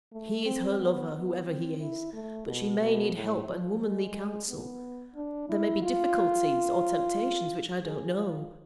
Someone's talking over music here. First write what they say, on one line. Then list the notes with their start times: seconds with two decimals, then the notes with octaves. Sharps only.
He is her lover, whoever he is; but she may need help and womanly counsel;--there may be difficulties or temptations which I don't know.
0.13 A3
0.46 C4
0.79 B3
1.13 B3
1.46 C4
1.80 E4
2.13 A3
2.47 B2
2.80 B2
3.14 A2
3.48 F3
3.81 G#3
4.49 B3
5.15 D4
5.49 E4
5.83 F4
7.84 G#4
8.18 F4